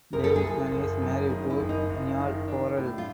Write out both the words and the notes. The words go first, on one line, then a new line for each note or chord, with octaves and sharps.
Davidman is married to Neal Horrell.
F#1 A#4
A4
G#4
F#1 A4
F#1
F#2
D#3 G#4
E4
F#1
D#4
F#1
D#3
D4
A2
F4